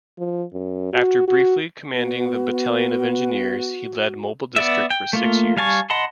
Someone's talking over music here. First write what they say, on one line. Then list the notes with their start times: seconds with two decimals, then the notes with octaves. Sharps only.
After briefly commanding the Battalion of Engineers, he led Mobile District for six years.
0.18 F3
0.53 F#2
0.93 F#4
1.28 F#4
1.95 B3 F#4
4.56 B3 D5 E5
4.90 G5
5.13 A3 A#3 F4
5.57 G3 F5 G#5 A5 C#6
5.90 D#5 F#5 A5 B5 C6